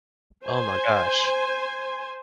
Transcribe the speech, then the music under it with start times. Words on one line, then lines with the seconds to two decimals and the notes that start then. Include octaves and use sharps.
Oh my gosh.
0.46 C5 G#5